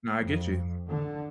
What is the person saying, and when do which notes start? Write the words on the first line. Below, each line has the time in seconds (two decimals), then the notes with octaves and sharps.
Nah, I get you.
0.20 F2
0.90 D3